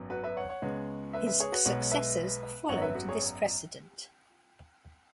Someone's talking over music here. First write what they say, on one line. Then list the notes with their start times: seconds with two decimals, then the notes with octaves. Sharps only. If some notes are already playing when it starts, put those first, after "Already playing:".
His successors followed this precedent.
Already playing: G#1 F#2 F#3 B3
0.10 F#4 B4
0.24 B4 E5
0.37 C#5 F#5
0.49 C#5 F#5
0.62 C#2 C#3 G#3 B3
1.13 B4 E5
1.27 B4 E5
1.40 G#4 C#5
1.52 F#4 B4
1.65 B1 B2 G#3 B3 C#5 F#5
1.91 B4 E5
2.69 G#1 F#2 F#3 B3 C#5 F#5
2.82 B4 E5
2.95 F#4 B4
3.08 G#4 C#5